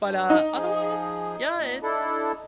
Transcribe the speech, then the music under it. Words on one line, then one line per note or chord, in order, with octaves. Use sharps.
But, uh, otherwise, yeah, it
G2
D#4
F3 G#4
A#2
D4 E4 A4